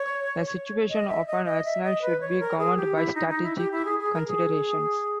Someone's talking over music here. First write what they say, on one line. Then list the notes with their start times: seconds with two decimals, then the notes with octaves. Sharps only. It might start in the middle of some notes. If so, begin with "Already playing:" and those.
The situation of an arsenal should be governed by strategic considerations.
Already playing: C#5
0.90 D#5
1.09 E5
1.27 D#5
1.46 D#5
1.65 E5
1.83 D#5
2.02 B4
2.21 C#5
2.40 A#4
2.59 G#4
2.77 G4
2.96 E4
3.15 D#4
3.29 D#4
3.43 E4
3.57 G4
3.72 E4
3.85 G#4
3.99 G#4
4.14 A#4
4.28 G#4